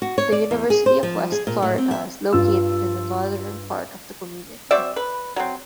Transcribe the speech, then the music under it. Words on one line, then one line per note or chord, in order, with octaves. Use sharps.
The University of West Florida is located in the northern part of the community.
F#4
C#5
D5
E2
G#4
C5
F3
G#4
A#2
A2
C4
E5
G2 F4 E6
F#3 C4 D5 E5
B4
F#3 C4